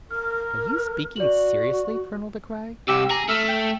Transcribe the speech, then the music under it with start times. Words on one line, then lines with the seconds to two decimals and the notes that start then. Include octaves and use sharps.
"Are you speaking seriously, Colonel De Craye?"
0.11 A#4 F6
1.16 F#4 D5 F#7
2.88 C2 G4 E6
3.10 G#4 A#5
3.29 A3 E6 F6
3.49 G5